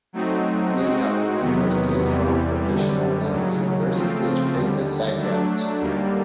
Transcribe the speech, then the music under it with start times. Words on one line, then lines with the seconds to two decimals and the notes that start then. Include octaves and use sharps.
Many of the members came from professional and university-educated backgrounds.
0.13 F#3 A3 C4 D#4 F#4
0.76 G#3 C4 D#4 F#4
1.39 E2 C3 D#3 F#3 B3
2.02 E2 C3 E3 G3
2.65 F#2 D3 G3
3.28 D#2 C#3 F#3
3.91 C#3 F3 A3 C4 F4
4.55 D#2 D3 G3
5.18 F#3 A3 D4
5.81 D#2 D3 G3 A#3